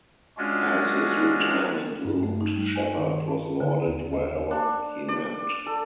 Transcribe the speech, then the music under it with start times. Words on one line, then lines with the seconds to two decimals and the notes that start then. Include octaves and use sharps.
As his retirement loomed, Shepherd was lauded wherever he went.
0.37 G#3 C#4 D4 F4 F#4
2.05 G2
2.23 A3
2.41 D#4
2.56 G3
2.76 G#5
2.98 D#3
3.28 A5
3.60 D3
3.86 D#2
4.13 D#5
4.51 D4
5.09 D5
5.66 A4